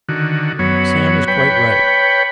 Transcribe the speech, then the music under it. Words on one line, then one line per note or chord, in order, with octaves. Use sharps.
'Sam is quite right.
D3 D#3 F#4
F#2 F#3 B3 C#5
B4 C#5 G5 B5